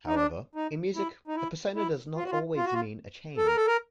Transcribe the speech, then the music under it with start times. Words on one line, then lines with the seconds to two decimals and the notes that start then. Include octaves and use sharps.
However, in music, a persona does not always mean a change.
0.07 D#4
0.15 D4
0.55 D#4
0.96 E4
1.28 D#4
1.36 E4
1.76 E4
2.17 F4
2.23 F#4
2.31 F4
2.57 F4
2.65 F#4
2.74 F4
3.37 A4
3.47 A#4
3.57 A4
3.67 A#4